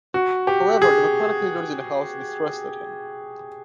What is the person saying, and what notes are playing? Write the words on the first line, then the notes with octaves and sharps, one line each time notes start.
However Democratic leaders in the House distrusted him.
F#4
G4
G#4